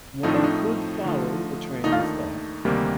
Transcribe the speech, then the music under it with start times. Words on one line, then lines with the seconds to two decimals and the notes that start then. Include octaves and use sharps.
One could follow the train of thought.
0.23 A2 F3 A3 C4 D#4
0.34 D4
0.44 D#4
1.04 D3 F3 A3
1.84 D#2 D#3 A3 D4 D#4
1.92 F4
1.99 D#4
2.65 D2 C3 D#3 G3 A#3